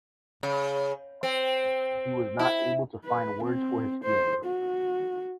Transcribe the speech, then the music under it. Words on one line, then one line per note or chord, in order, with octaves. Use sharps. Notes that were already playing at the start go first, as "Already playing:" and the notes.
He was not able to find words for his feelings.
C#3
C4
E4
B4
C4
C5
F#4